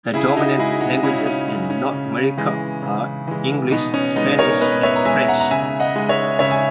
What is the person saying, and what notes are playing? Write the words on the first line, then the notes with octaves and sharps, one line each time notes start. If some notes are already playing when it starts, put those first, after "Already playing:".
The dominant languages in North America are English, Spanish, and French.
C#3 E4 G#4
D#4 F#4
G#3 E4 G#4
D#4 F#4
C#3 C#4 E4
C#4
G#3
C#4
C#3
E3 G#3
C#3
E3 G#3
B2 B3 D#4
C#4
G#3 B3 D#4
A#4 C#5
B2 B4 D#5
C#5 E5
A#5
G#3 E5 G#5
F#5 A#5
A#5
C#3 E5 G#5
D#5 F#5
G#3
C#5 E5
C#3 C#5 E5
G#5